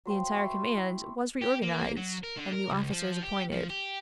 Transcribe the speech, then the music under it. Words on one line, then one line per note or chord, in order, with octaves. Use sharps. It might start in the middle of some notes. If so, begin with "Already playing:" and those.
The entire command was reorganized, and new officers appointed.
F#3 C5 F5 G5
C#5 E5 B5 C6
E4
G4
A#3
F#3
A#4
D3
A#4
C#2
F3
G4
F3
G4